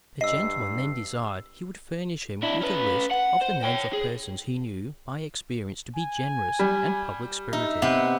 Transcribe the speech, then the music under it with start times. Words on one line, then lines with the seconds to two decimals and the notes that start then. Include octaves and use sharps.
The gentleman then desired he would furnish him with a list of the names of persons he knew by experience to be generous and public-spirited.
0.21 G2 D#5 E6 C7
2.43 D4 E4
2.61 C#4 B4
3.11 F#5
3.41 C5
3.63 C#5 G5
3.93 G#4
5.96 G#5
6.59 G3
7.53 D#4 E5
7.82 C3 B3 B4